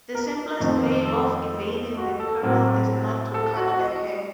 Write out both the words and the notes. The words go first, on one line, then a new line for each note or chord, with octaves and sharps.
The simplest way of evading the peril is not to cut the hair.
A#4
F2 D#3 A3 C4
A4
F#4
A4
A2 F#3 C4
A4
A4
F#4
F#4
D#5